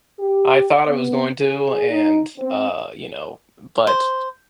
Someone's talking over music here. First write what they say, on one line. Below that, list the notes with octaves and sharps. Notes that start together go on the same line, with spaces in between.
I thought I was going to and, uh, you know but
G4
B3
G#4
D#4
C4
C5